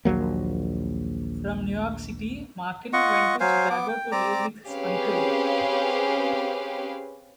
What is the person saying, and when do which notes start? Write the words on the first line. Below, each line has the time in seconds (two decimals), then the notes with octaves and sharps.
From New York City, Markin went to Chicago to live with his uncle.
0.05 A#1 D#2 F#3 A#3
2.93 F4 D#5 F#5 C#6
3.40 F#3 C5 F5 G#5
3.70 B3 D6
3.88 G5
4.12 C4 D5 A#5 D6
4.66 C4 C#4 G4 G#4 B4 F5